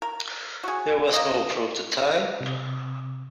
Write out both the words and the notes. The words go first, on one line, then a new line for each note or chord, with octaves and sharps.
There was no prototype.
A#4
F#4 G#4
A#3 D#5
C3